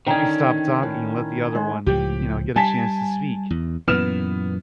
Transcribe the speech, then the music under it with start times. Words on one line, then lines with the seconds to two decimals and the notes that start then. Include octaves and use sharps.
we stop talking and let the other one, you know, get a chance to speak.
0.07 D3 D#3 C#4 D#4 G5
0.83 A2
1.55 G#3
1.86 C#2 A2 F3 G4
2.56 G3 G#5 A5 B6
3.50 E2
3.88 F#2 A#2 E3 B3 F6 E7